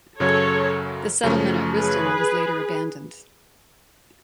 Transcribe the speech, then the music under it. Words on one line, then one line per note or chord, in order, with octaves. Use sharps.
The settlement at Risdon was later abandoned.
F#2 C#3 F#3 C#4 A4 C#5
F#2 C#3 F3 A3 C#4
G#4 B4